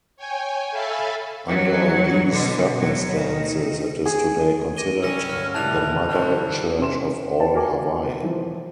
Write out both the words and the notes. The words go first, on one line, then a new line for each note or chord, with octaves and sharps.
Under these circumstances it is today considered the mother church of all Hawaii.
C#5 G5 G#5
A4 E5 F5 G#5 A5 B5
E2 F#3
B2 D3
B2 F#3
D#3
G#4
C#6 D6 A#6 D#7 G7
C2 C#4 E6 A#6
D2 G2 A#3 F6
C#2 A#2 E3 G3 E4 A5 F#6 F7
E3 F#3 G3 A4 C5
D#3
C3 C#4 C6 E7
G5 A5
F#4 A#4 G#5 A5 D6
E3 F3 C4